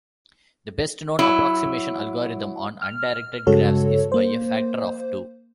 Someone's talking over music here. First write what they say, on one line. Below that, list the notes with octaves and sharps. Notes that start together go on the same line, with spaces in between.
The best known approximation algorithm on undirected graphs is by a factor of two.
F#3 E4
F6
G2 C#3 G#3 F#4 A4 C#5
A#3 C5